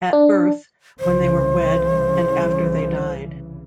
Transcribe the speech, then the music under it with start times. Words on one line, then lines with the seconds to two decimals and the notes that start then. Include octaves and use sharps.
At birth, when they were wed and after they died.
0.13 D4
1.00 C2 C#3 E3 C5